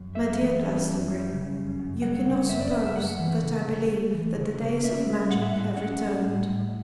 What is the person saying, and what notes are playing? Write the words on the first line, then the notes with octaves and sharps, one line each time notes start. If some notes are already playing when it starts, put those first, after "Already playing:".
'My dear Glastonbury, you cannot suppose that I believe that the days of magic have returned.
Already playing: F#2
A3 E5
E3
C#4
F#2
G3
C#3
F#2
F#2
G3 F#5
C#3
F#2 E5
D5
F#2 E5
E5
A3 F#5
E3
C#3
C#3
A3
E3
C#3
C#3
C#4 E5
G3
A2 F#5
E5
A2 F#5
C#4 F#5
G3
A2
A2